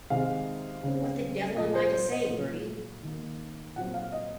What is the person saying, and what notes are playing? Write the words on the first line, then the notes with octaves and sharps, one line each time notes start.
What the devil am I to say, Bertie?
C3 D#3 G#3 C4 F5
C#3 G#3 C4
A#2 F3 A#3 D#5
C5
C5
D#5
A#2 F#3 A#3
D#3 A#3
A#2 F#3 C4 F#5
F5
D#5